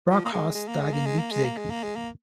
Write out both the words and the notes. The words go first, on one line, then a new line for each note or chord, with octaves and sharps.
Brockhaus died in Leipzig.
F3
A#3
G#3
G#3
A#3
G#3
A#3
G#3
A#3
G#3
A#3
G#3
A#3
G#3
A#3